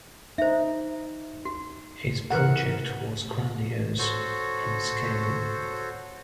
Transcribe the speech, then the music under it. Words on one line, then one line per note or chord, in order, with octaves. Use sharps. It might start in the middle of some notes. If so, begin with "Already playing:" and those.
His project was grandiose in scale.
D#4 C5 E5
F#4
E3 A#4 B4 F#5 A#5
F#4 A4 C5 C#5